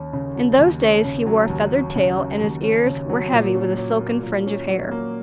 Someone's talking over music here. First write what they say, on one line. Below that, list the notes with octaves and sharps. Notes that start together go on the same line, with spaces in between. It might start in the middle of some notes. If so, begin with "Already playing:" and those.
In those days he wore a feathered tail, and his ears were heavy with a silken fringe of hair.
Already playing: D#2 C#4
C#3
F#3
D#2
C#4
C#3
F#3
D#2
C#4
C#3
F#3
D#2
C#4
C#3
F#3
A#2
C#4
F#3
A#3
A#2
C#4
F#3
A#3